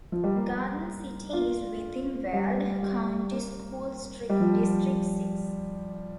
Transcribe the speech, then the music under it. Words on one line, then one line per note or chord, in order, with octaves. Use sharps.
Garden City is within Weld County School District Six.
F3
G3
A#3
D4
F4
G3
G3
A#3
G3
F3